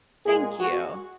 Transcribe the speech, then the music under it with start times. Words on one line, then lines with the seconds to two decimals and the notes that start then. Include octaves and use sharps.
Thank you.
0.25 A#2 G#3 G#4
0.59 F#4